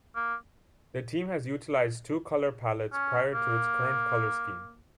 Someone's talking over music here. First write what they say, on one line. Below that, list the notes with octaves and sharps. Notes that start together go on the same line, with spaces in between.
The team has utilized two color palettes prior to its current color scheme.
A#3
C#4
A#3